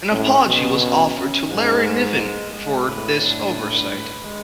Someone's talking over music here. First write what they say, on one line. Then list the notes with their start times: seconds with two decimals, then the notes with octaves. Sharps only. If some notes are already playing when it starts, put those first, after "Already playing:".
An apology was offered to Larry Niven for this oversight.
0.11 A2 C#4
0.46 B2 F#3
0.81 C#4
1.16 C#4
1.49 G#2 G#3
1.84 G#3
2.19 G#3
2.53 G#3
2.87 A2 B4
3.22 D4
3.56 B4
3.90 B4
4.24 G#3